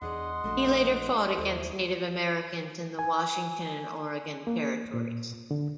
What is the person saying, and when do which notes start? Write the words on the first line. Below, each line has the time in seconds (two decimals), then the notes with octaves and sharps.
He later fought against Native Americans in the Washington and Oregon territories.
0.02 E2 D4 G#4 D5 D#5 F#5 C6
0.44 A#1 A3 D4 F#4
1.15 C6
1.38 D#2 E4 A4 C5
2.99 G#5
4.47 A#3
4.94 A#2
5.51 D3